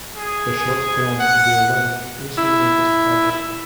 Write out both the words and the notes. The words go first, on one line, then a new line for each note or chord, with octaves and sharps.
The short film "Dear Life" is her latest project.
G#4
G#4
F#5
E4